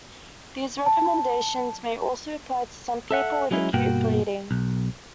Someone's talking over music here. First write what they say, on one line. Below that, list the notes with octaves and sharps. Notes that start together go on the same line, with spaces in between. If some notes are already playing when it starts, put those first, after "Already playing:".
These recommendations may also apply to some people with acute bleeding.
A5
A4 E5 F#5
F#3 G#3 C#4 E4
G2 B2 A#3 F#4 G5
B1